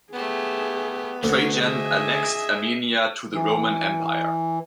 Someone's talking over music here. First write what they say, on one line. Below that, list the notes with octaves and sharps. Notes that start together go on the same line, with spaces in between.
Trajan annexed Armenia to the Roman Empire.
A3 B3 G4 G#4
D2 A3 C#4 C#5
G#4 D#5 E5 G#5
E3